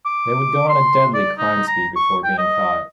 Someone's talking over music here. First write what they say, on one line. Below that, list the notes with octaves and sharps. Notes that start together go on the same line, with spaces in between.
They would go on a deadly crime spree before being caught.
D6
C6
D5
D#4
A#5
C#6
G5
D#5